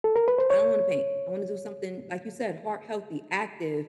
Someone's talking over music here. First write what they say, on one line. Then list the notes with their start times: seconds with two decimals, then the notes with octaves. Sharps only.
I don't wanna paint. I wanna do something," like you said, heart healthy, active
0.04 A4
0.16 A#4
0.28 B4
0.38 C5
0.50 C#5